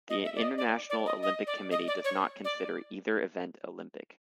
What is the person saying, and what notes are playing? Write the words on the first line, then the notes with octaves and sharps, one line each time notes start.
The International Olympic Committee does not consider either event Olympic.
D#5
E5
D5
D#5
D5
D5
D#5
D#5
D5
D#5
D5
C#5
D5